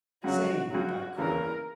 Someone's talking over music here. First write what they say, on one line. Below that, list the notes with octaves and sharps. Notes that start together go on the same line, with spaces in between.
"Saved!" I cried.
F#2 C#3 F#3 F#4
F#2 C#3 F#3 F#4
E2 C#3 E3 A#3 C#4 A#4